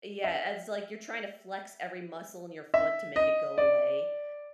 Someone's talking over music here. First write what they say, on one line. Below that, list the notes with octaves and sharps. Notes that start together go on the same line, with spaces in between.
Yeah, and it's like you're trying to flex every muscle in your foot to make it go away. Uh,
E5
E5
D#5
D5